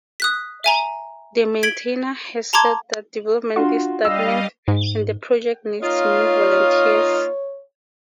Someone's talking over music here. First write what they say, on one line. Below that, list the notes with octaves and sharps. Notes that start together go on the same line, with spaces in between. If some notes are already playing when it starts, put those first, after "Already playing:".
The maintainer has said that development is stagnant and the project needs new volunteers.
D#6 F#6 B6
E5 G#5 A#5
G#6 B6 D7 F#7 G7
A5 A#5 C6 D6 G#6
D4 F4 F#4 C6
G3 D#5 F5 E6
G#2
A#3 D#4 F4 C#5